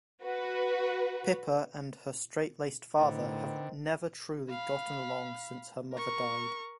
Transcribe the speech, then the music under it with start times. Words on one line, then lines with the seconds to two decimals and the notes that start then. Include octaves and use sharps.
Pippa and her straight-laced father have never truly gotten along since her mother died.
0.24 F#4 B4
2.99 A2 D3 D#3 B3 C4
4.50 F5 B5
5.93 A#4 C#6